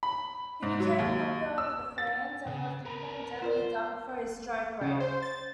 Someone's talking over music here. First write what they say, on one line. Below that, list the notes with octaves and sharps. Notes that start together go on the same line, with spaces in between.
He became popular with the fans and was nicknamed 'Deadly Dunc' for his strike-rate.
B5
G#2
F#3
D#2
E6
A6
C#3
A#4 B4
F4 A#4 C5 D5
C#3
C5
A6